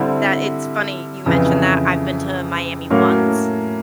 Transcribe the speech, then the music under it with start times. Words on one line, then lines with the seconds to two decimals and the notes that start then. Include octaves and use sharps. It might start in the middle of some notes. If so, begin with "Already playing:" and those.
That it's funny you mentioned that. I've been to Miami once,
Already playing: D3 G3 C4 E4
1.26 F2 C#3 E3
2.90 A2 F#3 A#3 C#4